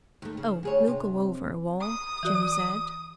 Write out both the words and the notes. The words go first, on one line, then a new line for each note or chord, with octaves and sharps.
"Oh, we'll go over, Wal," Jim said.
D#2 A3
C#3
D2 G#4 C#5
C3
D#6
E3 F#4 D5